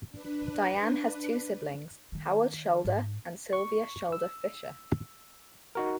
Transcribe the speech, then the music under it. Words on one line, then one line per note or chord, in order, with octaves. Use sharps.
Diane has two siblings, Howard Schulder and Sylvia Schulder Fisher.
D4 B4
D#3 A3
G#2
C#6
E6
D#4 F#4 A#4